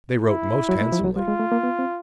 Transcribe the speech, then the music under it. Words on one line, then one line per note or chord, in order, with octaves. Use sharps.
They wrote most handsomely.
E4
F#3
A3
F3
G3
F#3
G3 F4
G#3
A3
A#3
B3
C4